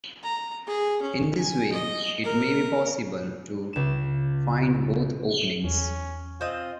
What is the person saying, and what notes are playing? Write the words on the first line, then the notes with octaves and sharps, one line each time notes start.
In this way, it may be possible to find both openings.
A#5
G#4
C#4
G#5
D#5
A#4
C#2 E7
E2 C#4
C4 F4 D#5